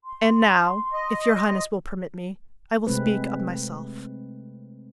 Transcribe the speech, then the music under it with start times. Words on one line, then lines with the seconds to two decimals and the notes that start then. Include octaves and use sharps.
And now, if your highness will permit me, I will speak of myself.'
0.05 C6
0.93 D#5
2.87 C3 G#3 A3 C4 B4